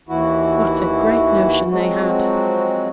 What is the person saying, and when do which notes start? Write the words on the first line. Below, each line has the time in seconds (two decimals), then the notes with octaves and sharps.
What a great notion they had!
0.09 D#2 E3 E4 F#4
1.71 F3 F#3 G#3 C4 F#4